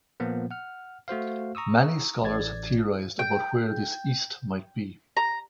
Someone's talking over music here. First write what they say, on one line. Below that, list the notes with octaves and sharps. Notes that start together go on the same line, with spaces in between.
Many scholars have theorized about where this east might be.
A#2 F3 A#3 B3
F#5 F6
A3 F#4 C5 F5
A#5 C#6 D#6 E6
A1 D5 G#6 A6
G5
A#5